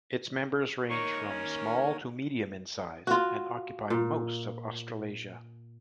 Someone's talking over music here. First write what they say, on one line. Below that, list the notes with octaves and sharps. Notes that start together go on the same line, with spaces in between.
Its members range from small to medium in size, and occupy most of Australasia.
A#3 D#4 A#4 C#5 C#6
C#4
F4 F#4
A#2